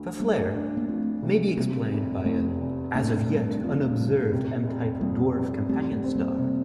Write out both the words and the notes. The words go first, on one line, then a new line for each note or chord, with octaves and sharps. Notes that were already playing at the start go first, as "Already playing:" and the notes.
The flare may be explained by an as yet unobserved M-type dwarf companion star.
Already playing: D2
G3 A3 A#3
D4
A#3
F3 A3 C4
C3
C3 G3 A#3
F1
E2 A3 C4
F1
A3 A#3 D4
G2
D4
F3 A3 C4
G2
C3
F1
F2 G3 A#3
F1
G3 A3 C4
A3 C4
C4
G3 A#3
C3